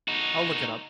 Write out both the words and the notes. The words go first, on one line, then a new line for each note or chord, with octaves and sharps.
I'll look it up.
D#4 F#4